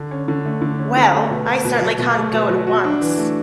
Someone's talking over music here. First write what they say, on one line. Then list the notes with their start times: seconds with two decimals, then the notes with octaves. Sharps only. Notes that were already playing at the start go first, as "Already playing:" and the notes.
Well, I certainly can't go at once.
Already playing: D3
0.11 C#4
0.28 D3
0.45 A3
0.62 D3
0.79 C#4
0.97 D3
1.14 A3
1.31 B2
1.48 A3
1.64 B2
1.81 F#3
1.99 B2
2.16 A3
2.33 B2
2.49 F#3
2.67 F#4
2.84 D4
3.01 E3
3.17 A3